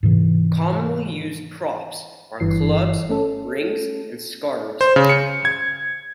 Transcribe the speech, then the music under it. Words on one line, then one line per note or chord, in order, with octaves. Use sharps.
Commonly used props are clubs, rings and scarves.
G#2 C3 E3
G1 G2 E3 C7
A3 C#4 A4
C5
C#3
C#7
G#6